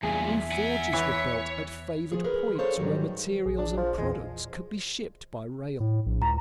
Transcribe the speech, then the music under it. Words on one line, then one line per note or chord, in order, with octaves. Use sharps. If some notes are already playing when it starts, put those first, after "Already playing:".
New forges were built at favored points where materials and products could be shipped by rail.
E2 G2 A#2 G#4 E5
F#5 G#5
E3 C#5
F3 G#4
G#4 A#4 B4
G#4 A4 C5 C#5 F5 A#5
G#2 D#3 F#3 G3
A#1 G#4
D4
F3
E2 A#2 E3 G#3
A2
A#1
C#2 A#5